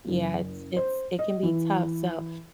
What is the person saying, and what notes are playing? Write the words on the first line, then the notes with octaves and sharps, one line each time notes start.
Yeah, it's it's it can be tough, so
F#1
C5
D#5
E3